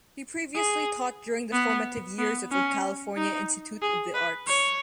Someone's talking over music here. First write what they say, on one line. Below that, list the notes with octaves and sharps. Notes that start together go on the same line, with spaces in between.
He previously taught during the formative years of the California Institute of the Arts.
G#4
B3
B3
C#4
D#4
G#4
B4
C#5